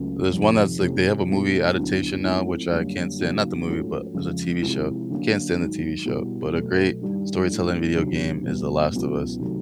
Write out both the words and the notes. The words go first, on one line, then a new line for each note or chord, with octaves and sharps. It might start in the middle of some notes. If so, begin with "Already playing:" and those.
there's one that's, like, they have a movie adaptation now, which I can't stand, not the movie, but it's a TV show, can't stand the TV show, but a great storytelling video game is The Last of Us.
Already playing: C#2 C#3 F#3 A3
F2 C3 D#3
C3 E3 A3 C#4
B2 G#3 B3 D#4
D2 D3 F#3 B3 E4
G#2 F3 A3 C4 E4
F#2 D3 G3 A#3 C#4
C#3 F#3 A#3 D#4 F#4
G#2 F3 A3 C#4 F#4
F2 C#3 F3 G#3
C3 F3 G#3 C4 E4
D3 F#3 A#3 C#4
G#2 D#3 F#3
B2 G3 B3 E4
B2 F#3 A3
G2 D#3 G3
A2 F#3 A3 D4
D2 C3 D#3 F#3
C2 B2 G3 B3
C#2 B2 F#3 B3 E4
C3 D#3 F#3 A3